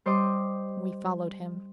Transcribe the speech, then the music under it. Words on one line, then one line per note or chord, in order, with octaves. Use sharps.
We followed him.
G3 C5 D#5 C6 D6